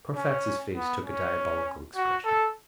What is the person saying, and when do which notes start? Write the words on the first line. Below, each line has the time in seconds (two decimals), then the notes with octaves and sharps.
Carfax's face took a diabolical expression.
0.16 C#4
0.75 B3
1.05 C#4
1.96 F#4
2.25 A4